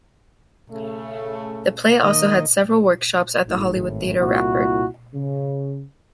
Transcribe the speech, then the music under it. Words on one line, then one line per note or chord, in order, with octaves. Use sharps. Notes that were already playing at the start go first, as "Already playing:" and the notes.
The play also had several workshops at the Hollywood Theatre Rapport.
C#3 A3
D#3 A#3 D#5
G#1 A2
C2 A#2 E4 F#4
C#3